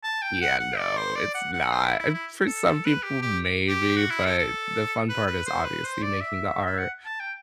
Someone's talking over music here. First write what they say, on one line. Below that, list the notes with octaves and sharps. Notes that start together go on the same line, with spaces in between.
Yeah, no, it's not. For some people, maybe, but the fun part is obviously making the art,
A5
G5
F#5
F#5
D5
C5
D5
F#5
F#5
C5
E4
E4
E4
A4
A4
B4
G4
G4
G4
F#4
E4
A4
A4
B4
B4
C5
B4
C5
D5
E5
E5
F#5
A5
G5